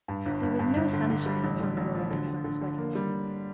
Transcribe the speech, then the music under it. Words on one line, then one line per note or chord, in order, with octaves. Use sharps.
There was no sunshine upon Laura Dunbar's wedding morning.
G2
G1
G1
G2
G1
D3
D3
G3
A1
D3
A1
F3
D3
D3
D3
D3
A#3
G3